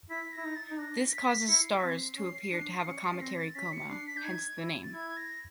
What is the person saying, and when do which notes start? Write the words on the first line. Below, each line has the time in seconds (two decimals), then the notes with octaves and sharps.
This causes stars to appear to have a cometary coma, hence the name.
0.10 E4 B6
0.33 E4 A#6
0.44 D#4
0.56 A6
0.71 D#4
0.79 D4 A#6
1.09 A#6
1.13 B6
1.48 E4 C#7
1.62 C7
1.76 B6
1.83 C4
1.90 C7
2.17 C#4
2.52 D4
2.86 C#4 C#7
3.04 C7
3.13 C#4
3.21 C4 A#6
3.38 A6
3.55 C#4 B6
3.73 C#7
3.89 D4 C7
4.07 B6
4.14 D4 G6
4.24 D#4 G#6
4.59 E4
4.83 A6
4.93 E4 G#6
5.17 A#6